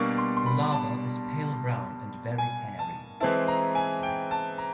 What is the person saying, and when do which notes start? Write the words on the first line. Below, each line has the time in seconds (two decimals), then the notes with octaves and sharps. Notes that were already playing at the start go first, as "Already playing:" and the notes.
The larva is pale brown and very hairy.
Already playing: B2 G3 A#3 D4 C#6
0.18 C6
0.37 C6
0.46 B5
0.72 A5
2.38 G#5
2.79 A5
3.20 E3 G#3 C4 E4 A5
3.48 A#5
3.75 G#5
4.03 G5
4.31 A5
4.58 A#5